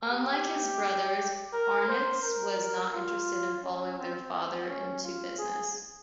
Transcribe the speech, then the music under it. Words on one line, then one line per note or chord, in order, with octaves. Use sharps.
Unlike his brothers, Ornitz was not interested in following their father into business.
G4
A#4
C5
A#4
F4
C#4
C4
C4
C#4
F4
G#4